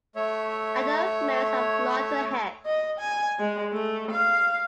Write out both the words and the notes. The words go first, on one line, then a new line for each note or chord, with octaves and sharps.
Adult males have larger heads.
A3 C#5 E5
D#5
G#5
G#3
A3
F5